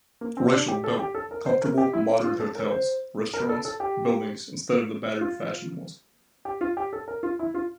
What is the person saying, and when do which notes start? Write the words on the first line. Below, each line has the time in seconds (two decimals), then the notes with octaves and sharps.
Reischl built comfortable, modern hotels, restaurants, buildings instead of the battered fashioned ones.
0.21 A#3
0.37 C4
0.53 D4
0.68 G4
0.84 A4
0.99 G4
1.15 A4
1.31 A#4
1.46 C5
1.62 A#4
1.78 G4
1.93 E4
2.24 F4
2.40 A4
2.55 A#4
2.71 C5
3.34 A#4
3.49 A4
3.65 A4
3.80 G4
5.21 F4
6.45 G4
6.61 F4
6.77 G4
6.93 A4
7.08 A#4
7.23 F4
7.39 E4
7.54 F4